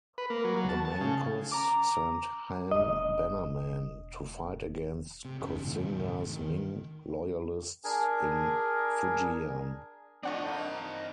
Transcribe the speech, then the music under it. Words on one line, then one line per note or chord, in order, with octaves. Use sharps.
The Manchus sent Han Bannermen to fight against Koxinga's Ming loyalists in Fujian.
B4
A#3
F#3
F#3
A5
A5
C#3
A#5 D6
E1 D4 D#5
C3
F#1 E2 C#3
G#2 B2 D3 D#3
C#2 G#2 C3 D#3
F1
D#3
D4 G#4 A#4 G#5
A2 F3 C4 D4 D5 D#5 F#5 C#6
A#3 D#4